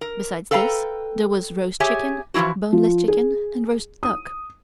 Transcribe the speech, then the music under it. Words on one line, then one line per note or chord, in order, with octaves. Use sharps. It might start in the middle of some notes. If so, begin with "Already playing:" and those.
Besides this there was roast chicken, boneless chicken and roast duck.
A#4
A4 B4 F5 G5 A5 A#5
G4 G#4 C#5 E5 G#5
E3 F3 G#3 E4 F#4
F3
G#4
D#6